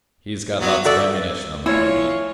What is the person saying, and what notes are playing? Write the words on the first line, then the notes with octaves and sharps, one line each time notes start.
He's got lots of ammunition on the pony.
F#3 B3
F#4 A4 D5 E5
F3 A3 E4 C#5 G#5